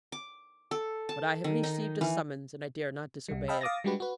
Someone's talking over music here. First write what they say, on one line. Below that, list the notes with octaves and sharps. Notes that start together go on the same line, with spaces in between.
But I have received a summons, and I dare not disobey it.'
D6
A4
A5
D#3
D#4
E3
C2 G3
D#5 F5 G5 A5 B5 E6
F5 D6 D#6 A6 A#6
G3 G#3 D4 F#4 G4 B4
F#4 B4